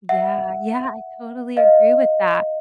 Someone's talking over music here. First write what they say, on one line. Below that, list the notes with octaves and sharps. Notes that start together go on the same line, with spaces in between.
yeah yeah, I totally agree with that,
E5 F#5
D#5 F5